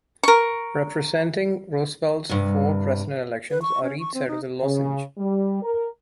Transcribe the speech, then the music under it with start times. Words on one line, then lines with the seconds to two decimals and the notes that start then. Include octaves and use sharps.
Representing Roosevelt's four President elections are each side of the lozenge.
0.23 A#4 C#6
2.29 G2 C3
3.50 B4
3.62 C#6
3.83 C#4
4.00 C#6
4.14 C4
4.28 D#4
4.62 C#3
5.18 G3
5.62 A#4